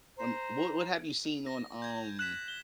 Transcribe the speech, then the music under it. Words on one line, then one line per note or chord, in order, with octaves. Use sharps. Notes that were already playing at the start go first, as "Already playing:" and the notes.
um, what what have you seen on, um,
C5 A#5
A#6
G6 G#6
F#6 B6 E7 F#7
G7